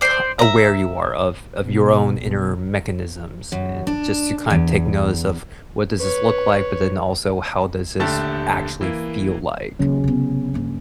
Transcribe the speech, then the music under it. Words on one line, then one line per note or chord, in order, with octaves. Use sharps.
c aware you are of of your own inner mechanisms and just to kind of take notice of what does this look like, but then also how does this actually feel like,
C5 D5
E5 A#5
B2
B1
F#2
D4
E2
B4 C#5
D#1 D3 A3 G4 A5
E3 A#3
D#2 C#3 E3 F#3 C#4
C3 B3
G2 A#3